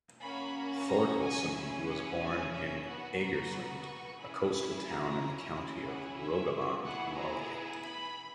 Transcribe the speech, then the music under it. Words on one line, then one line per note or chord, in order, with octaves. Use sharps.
Thorkelson was born in Egersund, a coastal town in the county of Rogaland, Norway.
A#3 C#4 F#4 B5
A#5
G#5
C#4 E4 G#4
F#5
G#5
E5
B3 F#4 F#5
A#5
C#6
C#4 E4 G#4 B5
A#5
C#4 E4 G#4
F#5
E5
B3 E4 G#4 F#5
A#5
B5